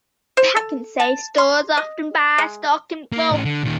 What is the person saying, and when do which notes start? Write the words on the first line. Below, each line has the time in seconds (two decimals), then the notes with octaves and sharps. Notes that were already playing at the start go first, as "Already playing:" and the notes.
Pak'nSave stores often buys stock in bulk.
0.37 C5
0.56 A4
1.00 A5
1.38 C6
1.77 D#5
2.38 G#3
3.12 A#3
3.30 A2 C#4
3.45 D3
3.63 A#2 D#3